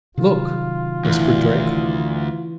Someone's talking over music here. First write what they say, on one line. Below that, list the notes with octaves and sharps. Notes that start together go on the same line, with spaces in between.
"Look," whispered Drake.
C3 D#3 F#3 F4
D2 E3